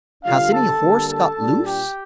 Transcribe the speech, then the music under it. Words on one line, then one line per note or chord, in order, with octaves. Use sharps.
"Has any horse got loose?"
D3 G3 D4 F4 F5
A4 A5
D3 G3 A#3
A4 A5
A#2 G3 D4
G4 G5